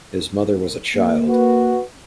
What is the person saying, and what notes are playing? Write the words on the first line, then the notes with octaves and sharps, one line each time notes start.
His mother was a child.
A#3
F#4 B4